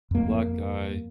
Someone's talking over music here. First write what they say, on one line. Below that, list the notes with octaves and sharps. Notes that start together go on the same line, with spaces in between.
a black guy
F2 A#3